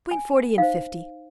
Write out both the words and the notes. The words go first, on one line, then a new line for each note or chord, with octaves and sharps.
"Between forty and fifty."
G#5
D#4 C5 F5